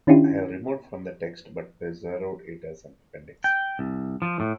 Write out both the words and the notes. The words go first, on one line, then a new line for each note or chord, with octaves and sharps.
I have removed from the text but preserved it as an appendix.
D#3 C#4 D4 E4 F4 G4
G5
C2
F3
A2